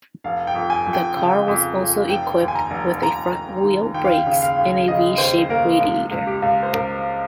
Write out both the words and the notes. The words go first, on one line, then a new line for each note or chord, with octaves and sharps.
The car was also equipped with front-wheel brakes and a V-shaped radiator.
F1 F5
G5
F2
G#5
F2
G5
C#3 G5
F2
F2
F1 G5
D#2
G#5
A#5
F1
F1 A#5
F1
D#3
D#2 G5
F5
G5
C#3
F5
D#2
C#3 D#5
D#2 C5
C5
A#3 A#4
C#2
C#2
G4
C#2
C5
C#2 A#4